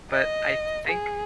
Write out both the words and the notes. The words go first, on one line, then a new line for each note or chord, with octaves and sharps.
but, I think"
D#5
G#4